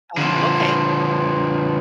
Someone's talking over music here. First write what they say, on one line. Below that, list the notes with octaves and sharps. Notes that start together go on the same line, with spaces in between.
Oh, okay.
D3 F3